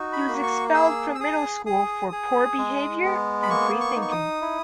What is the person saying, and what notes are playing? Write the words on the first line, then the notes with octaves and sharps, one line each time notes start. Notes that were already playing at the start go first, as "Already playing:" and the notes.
He was expelled from middle school for poor behavior and free-thinking.
Already playing: D#4 F#4
B5
A#3
C#6
G#4 E6
E6
G#4 D#6
G#4 D#6
G#4
G#3
B3
B5
A#3 C#6
C#6
D#4
C#6
D#6
E4